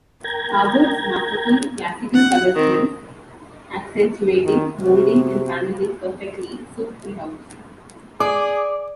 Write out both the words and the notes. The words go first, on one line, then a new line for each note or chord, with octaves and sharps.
Harboard's masterful, classical colour schemes accentuating moulding and panelling perfectly suit the house.
A#4 G5 A#5 G#6
F#5
D#3 C4
D#3
C3 F#4
G#4 D5 D6